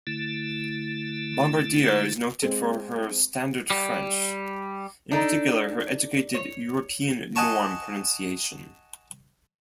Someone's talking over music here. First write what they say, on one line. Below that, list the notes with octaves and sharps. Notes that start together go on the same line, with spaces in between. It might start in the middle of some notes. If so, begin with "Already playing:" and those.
Bombardier is noted for her standard French, in particular her educated, European-norm pronunciation.
D3 A3 E4
G#3 C4
G3
D4 D#4 A4
C#5
D#5 F#5 G#5 A5 C#6